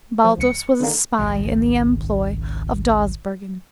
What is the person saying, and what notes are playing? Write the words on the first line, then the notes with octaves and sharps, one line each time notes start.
Baldos was a spy in the employ of Dawsbergen.
F3
C#2 C#7
D3 D#3 A#3
G#1 C#2 A#2 C#3